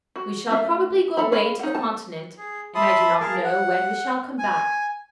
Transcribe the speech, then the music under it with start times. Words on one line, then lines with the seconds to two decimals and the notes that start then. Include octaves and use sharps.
We shall probably go away to the Continent, and I do not know when we shall come back.
0.16 F#4
0.50 A3 C#4 E5 F5
1.17 A4 E5 A#5 B5
1.32 C#5 F5 G#5 B5
1.59 D#4 F#5
1.75 A5
2.37 G#4
2.75 E5 A5 B5 C6 D#6
3.20 G#4 A#4 F5 A5
3.44 F#5
4.39 G#5